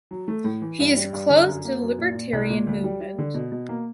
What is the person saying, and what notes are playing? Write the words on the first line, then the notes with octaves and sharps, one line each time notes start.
He is close to the libertarian movement.
F#3
A3
A2
E3
G2
G3
G2
D3
F#2
A#3
F#2
A#2
A#2
C2
A#2
D2
G3
G3
D3
B2
B2
A#3